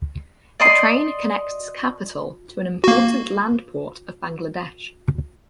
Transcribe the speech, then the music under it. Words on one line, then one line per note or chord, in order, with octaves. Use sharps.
The train connects capital to an important Land port of Bangladesh.
D5 D#5 C6
A#3 F#4